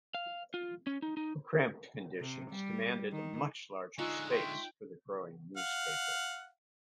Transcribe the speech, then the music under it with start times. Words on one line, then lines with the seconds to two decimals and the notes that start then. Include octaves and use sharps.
The cramped conditions demanded a much larger space for the growing newspaper.
0.14 F5
0.54 F4
0.87 C#4
1.02 D#4
1.17 D#4
2.20 C3
2.51 G3
3.12 D#3
3.98 D3 G#3 D#4 F4 G#5 C#6 E6 F#6
4.31 E5 G5 C6 C#6
5.57 F5 F#5